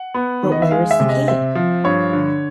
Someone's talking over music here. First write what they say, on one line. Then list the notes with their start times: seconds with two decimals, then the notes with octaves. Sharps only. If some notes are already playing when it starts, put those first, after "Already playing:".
But where is the key?
Already playing: F#5
0.14 B3
0.43 D#3
0.52 D#5
0.62 E5
0.71 G#3 F5
0.91 E5
1.00 C3
1.09 D#5
1.28 C4 E5
1.55 F3
1.84 G2 C#5
2.13 D3